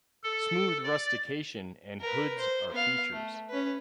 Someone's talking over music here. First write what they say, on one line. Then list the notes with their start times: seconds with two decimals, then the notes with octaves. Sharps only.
Smooth rustication and hoods are features.
0.23 A4
0.84 D5
2.01 A#4 B4
2.38 C5
2.72 B3 F5
3.12 A3
3.49 C#4 B4